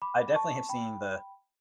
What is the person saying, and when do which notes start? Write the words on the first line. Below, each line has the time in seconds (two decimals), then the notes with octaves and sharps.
I definitely have seen the
0.02 B5 D6
0.36 A5 C#6
0.69 G5 B5